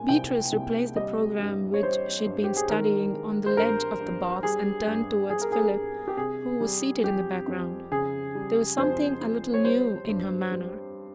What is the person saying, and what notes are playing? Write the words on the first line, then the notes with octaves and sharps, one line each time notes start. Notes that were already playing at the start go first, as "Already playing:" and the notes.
Beatrice replaced the programme which she had been studying, on the ledge of the box, and turned towards Philip, who was seated in the background. There was something a little new in her manner.
Already playing: A#2 G#3 G#5
C2 G5
C2
G3 D#5
G2
C#5
G3 C5
G2
G4
G#4
D#3 A#4
G#3
C5
G2 A#4
G2
G3 G#4
G2
G3 G#4
A#4
G#4
G2
G4
C3 G#4
G3
F2 G4
F2
C#3 G#4
G3
F2 C5
F2
C#5
G3 C5
G2
G3